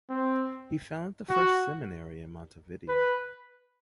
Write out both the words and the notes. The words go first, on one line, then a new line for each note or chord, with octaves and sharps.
He founded the first Seminary in Montevideo.
C4
F#4
B4